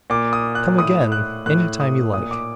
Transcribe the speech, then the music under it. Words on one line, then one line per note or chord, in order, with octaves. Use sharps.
"Come again any time you like."
A#2 D6
D#6
F#6
A2 D#6
F#6
A2 F#6
D#6
A#2 D#6
D6